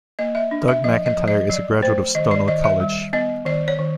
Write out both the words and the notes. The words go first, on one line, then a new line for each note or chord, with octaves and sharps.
Doug McIntyre is a graduate of Stonehill College.
A#3 D#5
E5
D4
E5
F3 D#5
D#5
F3
D#5
F#3 D5
A3 C5
D#3 D#5
D5
D#3 D#5
E5
G3
B3 D#5
D#3 D5
C#5
D#3